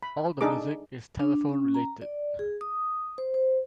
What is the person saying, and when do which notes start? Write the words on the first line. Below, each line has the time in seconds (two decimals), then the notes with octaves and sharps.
All the music is telephone related.
0.03 B5
0.41 D4 D#4 G#4 A4 D6
1.20 D4
1.49 C#4
1.74 A#5
2.01 D5
2.39 G#4
2.61 D#6
3.18 C5
3.34 C5